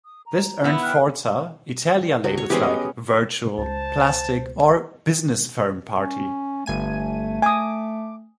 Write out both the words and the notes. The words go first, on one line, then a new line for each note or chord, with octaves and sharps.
This earned Forza Italia labels like "virtual", "plastic" or "business-firm party".
D#6
A#5
B3 E4
G5 F6 F#6
C#2 F#4
C#5
E3 G#3 B3 C#4 G4 G#4 C5 C#5
D#5 D6 D#6
C#2 C5 A5
C#4
G1 A3 G#5 D#7
G#5 D6 D#6